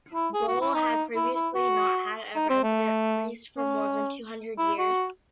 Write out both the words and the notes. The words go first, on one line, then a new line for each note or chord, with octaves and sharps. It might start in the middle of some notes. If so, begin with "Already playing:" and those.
Bole had previously not had a resident priest for more than two hundred years.
E4
G#4
F#4
E4
D#4
E4
E4
F#4
D#4
C4
A3
C#4
E4
F#4